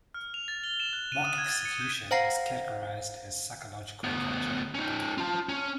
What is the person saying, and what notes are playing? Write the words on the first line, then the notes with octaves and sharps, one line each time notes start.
Mock execution is categorized as psychological torture.
F6
F7
A6
G7
E7
F#6
D#7
D#6
G#6
A6
C#7
G6
C5 F5 F#5 A#5 A#6 C7
D2 B3
C#4 D#4
F4 A5
C#4